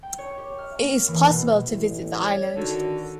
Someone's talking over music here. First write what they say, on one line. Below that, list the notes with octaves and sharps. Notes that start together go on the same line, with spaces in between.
It is possible to visit the island.
G5
C#5
G4
F6
A#3
E3
B2
A1
C#5
D3 D#3 F#4